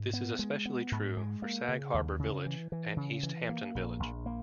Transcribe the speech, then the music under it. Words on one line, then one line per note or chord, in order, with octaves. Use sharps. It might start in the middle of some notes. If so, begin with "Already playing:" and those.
This is especially true for Sag Harbor Village and East Hampton Village.
Already playing: G#2
B3
G#3
B3
G#2
G#3
A#3
C#3
D#2
C#3
E3
E3
C#3
E3
A#3
A#1
A#1
A#3